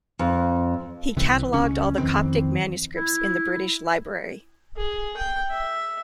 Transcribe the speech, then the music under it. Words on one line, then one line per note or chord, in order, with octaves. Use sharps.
He catalogued all the Coptic manuscripts in the British Library.
F2
C2 C3 E3
C#2 C#4
F2 D#3 E3 C4
E4
G#4
G5
E5